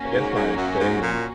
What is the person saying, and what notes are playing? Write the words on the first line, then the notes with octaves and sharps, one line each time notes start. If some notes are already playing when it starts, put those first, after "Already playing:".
a I guess my family
Already playing: A#3 C#4 F#4
G#2
G#2
F#2
G#2
A#2